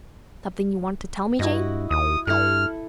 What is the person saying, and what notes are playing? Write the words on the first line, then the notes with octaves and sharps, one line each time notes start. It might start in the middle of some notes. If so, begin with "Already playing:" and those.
Something you wanted to tell me, Jane?'
G2 E4 F#4 D#5
D#2 D#6
G2 E4 A4 F6